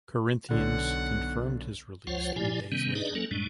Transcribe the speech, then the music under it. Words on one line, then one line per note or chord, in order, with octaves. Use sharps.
Corinthians confirmed his release three days later.
B1 D3 F#5
C#2 F3 F4 C5 C#5 F#5
A#2 F3 E4 G4 D5 G#5
C3 D#3 G3 B3 C#4
D4 D#4 G#4 B4 D5 D#5
F#3 A#3 C#4 A4
F#2 A2 G3 G#3 D4